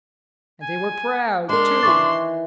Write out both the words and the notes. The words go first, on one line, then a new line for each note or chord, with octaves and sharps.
And they were proud, too.
G#5
G#3 D4 A#4 C6
D#3 E3 C#6 D6 A6